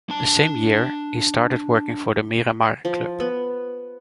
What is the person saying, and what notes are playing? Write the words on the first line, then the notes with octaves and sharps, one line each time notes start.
The same year he started working for the "Miramar" club.
D4 A5
F3
B3